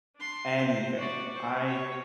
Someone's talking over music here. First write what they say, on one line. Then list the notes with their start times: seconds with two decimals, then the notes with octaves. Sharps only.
anything. I
0.16 D4 C6
0.52 C5
0.98 F#4 D5
1.32 C5 C#6
1.66 C#5